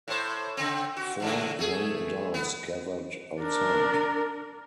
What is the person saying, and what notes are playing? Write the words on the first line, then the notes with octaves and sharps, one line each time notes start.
Four young adults gathered outside.
A2 C5
C#3 C4
F#4
E2 G#2 D3
A3 G#4
B3
D4 A#4